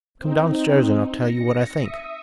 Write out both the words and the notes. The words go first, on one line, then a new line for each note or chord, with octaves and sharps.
"Come down-stairs, and I'll tell you what I think."
C4 D#4
A#6 C#7
E5 D#6